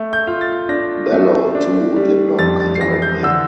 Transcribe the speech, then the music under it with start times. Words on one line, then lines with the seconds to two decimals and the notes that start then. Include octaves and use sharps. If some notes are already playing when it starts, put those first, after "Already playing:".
Bello too did not consult me.
Already playing: A3
0.13 G6
0.27 F4
0.41 A6
0.69 D4 A#6
1.12 A3
1.55 D4
1.96 G3
2.39 F2 A6
2.60 A6
2.75 C7
2.81 E3 A#6
3.02 G6
3.23 D3 E6